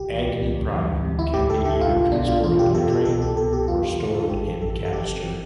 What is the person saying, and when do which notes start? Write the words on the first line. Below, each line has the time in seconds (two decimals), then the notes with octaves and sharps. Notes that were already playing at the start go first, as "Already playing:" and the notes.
Agni Prime can be either transported on train or stored in canister.
Already playing: C2 G4
0.10 E3
0.25 C2
0.41 C3
0.56 D2
0.72 E3
0.87 D2
1.03 C3
1.18 D2 E4
1.34 D2 G4
1.50 D3 A4
1.65 D3 G4
1.81 B1 F4
1.96 B1
2.12 B2 D4
2.28 B2 F4
2.44 E2 F4
2.59 E2 G4
2.74 B2 A4
2.90 B2 G4
3.05 C2 A4
3.21 C2 G4
3.37 B2 A4
3.53 B2 G4
3.68 E2 F4
3.83 E2 F4
3.99 D3 F4
4.15 D3 A4
4.30 A1 G4
4.45 E3
4.61 A1 A4
4.77 G2
4.85 A4
4.93 G1 G4
5.08 C3
5.23 E3